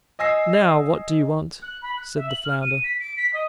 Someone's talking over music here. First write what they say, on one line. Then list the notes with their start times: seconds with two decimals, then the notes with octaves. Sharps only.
"Now, what do you want?" said the flounder.
0.19 D#5 G#5 E6 A#6 C7
1.62 F#6
1.82 B5
1.97 F#6
2.15 E5
2.29 F#7
2.44 F6
2.61 D#7
2.83 B6
3.00 D7
3.16 B6
3.33 D#5